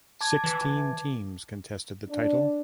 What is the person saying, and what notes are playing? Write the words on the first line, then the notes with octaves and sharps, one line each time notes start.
Sixteen teams contested the title.
A5 D6 G#6
E3
D4